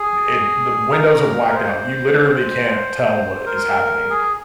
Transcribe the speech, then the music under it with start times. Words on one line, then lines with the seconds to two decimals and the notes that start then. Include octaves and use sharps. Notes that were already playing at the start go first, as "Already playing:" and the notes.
it the windows are blacked out, you literally can't tell what is happening,
Already playing: G#4
0.91 A#4
1.50 A#4
1.55 C5
3.46 A#4
4.10 G#4